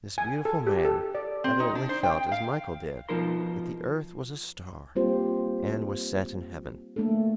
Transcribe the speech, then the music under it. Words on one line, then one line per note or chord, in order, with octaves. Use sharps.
This beautiful man evidently felt as Michael did that the earth was a star and was set in heaven.
G#5
A4
G4
A4
D5
C4
D#4
D4
C5
G5
F5
B2 F3 D#4 A#4 C6
G3 A#3 C4 F4 G4 C5
A3 A#3 D4 A4